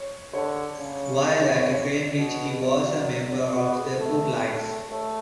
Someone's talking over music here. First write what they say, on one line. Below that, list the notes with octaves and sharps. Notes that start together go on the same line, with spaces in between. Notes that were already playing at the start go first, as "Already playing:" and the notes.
While at Cambridge he was a member of the Footlights.
Already playing: C#5
D3 C#5
C#3
C#5
C#5
C#5
B2
F#3 D5
D5
C#5
B3 F#4
G#4
A4
A3 A4
B4
B4
A3 C#5
A3 C#5